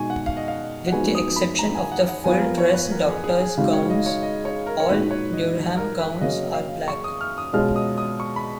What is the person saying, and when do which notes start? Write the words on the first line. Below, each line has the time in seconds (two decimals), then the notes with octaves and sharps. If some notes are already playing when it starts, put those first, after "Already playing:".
With the exception of the full-dress doctors' gowns, all Durham gowns are black.
Already playing: B2 G#3 D#4 G#5 C#6
0.10 F#5
0.26 F5
0.37 D#5
0.48 F5
0.87 F#5
0.92 F3 G#3 B3 D#4 F#4 G#5
1.15 D#6
1.36 B5
1.59 A#5
1.75 G#5
1.92 F#5
2.08 F#5
2.24 F3 B3 F4 G#5
2.41 A#4
2.58 C#5
2.74 B4
2.91 A#4
3.08 G#4
3.24 G#4
3.40 G#4
3.57 C#3 G#3 D#4 F#4
3.73 C#5
3.90 D#5
4.06 C#5
4.23 D#5
4.45 C#5
4.67 A#4
4.80 C#5
4.89 A#2 G#3 D#4 F#4 B4
5.11 C#5
5.33 D#5
5.77 A#4
5.99 B4
6.21 C#3 F#3 A#3 C#4 D#5
6.54 F5
6.88 C#6
7.04 D#6
7.21 F6
7.38 D#6
7.53 B2 G#3 C#4 F4 F6
7.76 D#6
7.98 D#6
8.20 C#6
8.36 B5